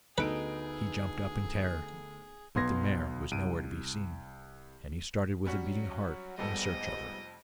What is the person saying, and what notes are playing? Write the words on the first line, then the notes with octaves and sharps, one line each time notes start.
He jumped up in terror, but the mare was nowhere to be seen, and he started with a beating heart in search of her.
D2 B3 D#4 G#4 A4 B4 B5 D7
B1 B3 C6 G#6 A#6
C2 D7 D#7
F#3 G3 C#4 F#4
F1 F2 G#2 G3 B3 G4 A4 D#5